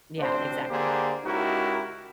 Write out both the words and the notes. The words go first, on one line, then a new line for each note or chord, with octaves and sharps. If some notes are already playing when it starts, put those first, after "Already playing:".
Yeah, exactly.
A1 D2 C4 D4 C5
D3 A#3 D4 G4 G#4 C5
C#2 D#4 E4 F#4 G4 A#4